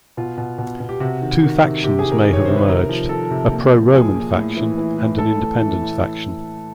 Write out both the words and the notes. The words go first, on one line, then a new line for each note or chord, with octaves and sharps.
Two factions may have emerged: a pro-Roman faction and an independence faction.
B2 F4
B2
B2
B2
G4
C3 F#4
D#3
D#3
C3
C3 G4
G#4
D#3
A#4
D#3
C#5
C3 C5
B4
C3 A#4
F3
F3 A4
C3
A#2
F3
F3 G#4
A#2
A2
E3
E3
A2
A2 A4
E3
E3
A2